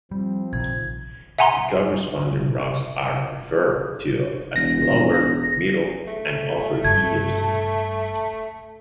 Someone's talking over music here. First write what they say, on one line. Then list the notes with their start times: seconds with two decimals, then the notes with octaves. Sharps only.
The corresponding rocks are referred to as lower, middle, and upper Eocene.
0.11 F3 G3 C4
0.53 A#1 C3 D#3 G#6
1.39 E5 F#5 G#5 A#5 C6
4.56 E1 A#6
6.07 A3
6.85 G2 A5 G#6